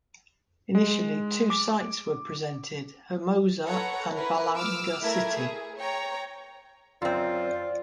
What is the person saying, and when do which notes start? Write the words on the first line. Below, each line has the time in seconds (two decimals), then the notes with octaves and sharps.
Initially, two sites were presented: Hermosa and Balanga City.
0.75 G#3
1.50 D6
3.67 A4 B4 C#5 F#5 A#5
4.14 E4 A#4 B4
4.54 D6 E6 F6
5.01 A3 E4 A#4 E5 G#6
5.36 G#4
5.77 C#5 G5 A#5
7.02 F#2 C4 F4 D5